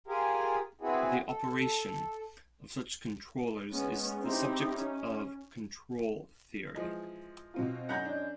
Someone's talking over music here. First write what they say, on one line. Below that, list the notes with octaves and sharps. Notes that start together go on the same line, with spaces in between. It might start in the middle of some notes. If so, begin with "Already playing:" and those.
The operation of such controllers is the subject of control theory.
F4 G4 G#4 A#4
B3 C4 E4 F#4 G#4
A4
G#3 B3 C#4
C4 D#4 E4 G4
C#4
E3 F3 G#3
B2 C4 F4
F#2 D#5 F#5 A#5 B5 G6
D4